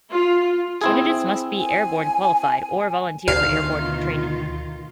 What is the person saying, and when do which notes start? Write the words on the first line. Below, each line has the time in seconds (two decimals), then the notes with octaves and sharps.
Candidates must be airborne qualified or volunteer for airborne training.
0.11 F4
0.81 C4 E4 G#4
1.58 G#5
3.28 D2 B2 D#3 F4 F5